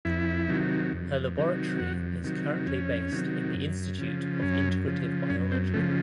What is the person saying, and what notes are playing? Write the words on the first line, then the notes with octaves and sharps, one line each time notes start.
Her laboratory is currently based in the Institute of Integrative Biology.
F2 E4
C3 D#3 F#3
F2
C3 D#3 F#3
F2 F#4
C3 D#3 F#3
F2 C#4
C3 D#3 F#3
F#2
C#3 F3
F#2 C#4
C#3 F3
F#2 C#4
C4
C#3 F3 A3